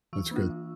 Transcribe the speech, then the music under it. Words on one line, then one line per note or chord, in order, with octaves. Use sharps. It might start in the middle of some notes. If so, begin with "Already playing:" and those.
That's good.
E3 C#6 E6
A#3 D4 F4
E3